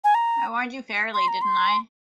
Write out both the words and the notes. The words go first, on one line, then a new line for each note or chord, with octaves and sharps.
I warned you fairly, didn't I?
G#5
A#5
C6
A#5
C6